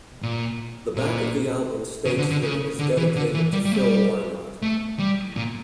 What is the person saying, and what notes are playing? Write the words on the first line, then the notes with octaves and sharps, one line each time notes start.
The back of the album states that it is dedicated to Phil Lynott.
A#2
A#2
C#3
D3
D3
C#3
D3
E3
D3
E3
G3
G3
A3
G3
A3
G3
A#2